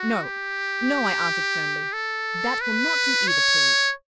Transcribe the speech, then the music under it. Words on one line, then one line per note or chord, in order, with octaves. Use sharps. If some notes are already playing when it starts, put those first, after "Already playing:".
'No, no,' I answered, firmly. 'That will not do either, please.
Already playing: F#4
G4
A4
B4
C#5